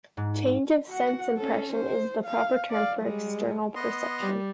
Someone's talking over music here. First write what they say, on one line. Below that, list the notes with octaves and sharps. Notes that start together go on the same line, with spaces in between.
Change of sense-impression is the proper term for external perception.
G#2
F#4 F#5
C#4 A4
C5
F5
D5 F5
G3 G#3
B3 D#5 C6
G3